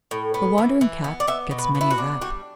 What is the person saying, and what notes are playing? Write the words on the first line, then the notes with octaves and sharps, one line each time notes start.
"The wandering Cat gets many a rap."
A2
B3
E3
E3
B3
D5
B3 E5
B2
B4
B3
E4
F#4
D4
G3 F#4